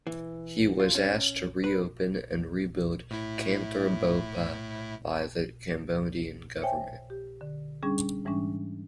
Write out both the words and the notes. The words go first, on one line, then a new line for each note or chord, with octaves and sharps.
He was asked to re-open and re-build Kantha Bopha by the Cambodian government.
E3
F4
C#4
B4
A2 E4
C5 C#5 E5 G5 G#5
G4
D3
G3 C#4 D4 G#4
G#2 E3 G3 G#3 C#4 D4